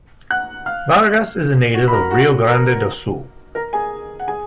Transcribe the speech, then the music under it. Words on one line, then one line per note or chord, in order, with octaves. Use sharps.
Vargas is a native of Rio Grande do Sul.
F#5 F#6
F5 F6
F#4 F#5
B5
A#4 A#5
F#4 F#5
A#4 A#5
A#4 A#5
G#4 G#5
F#5
G#4 G#5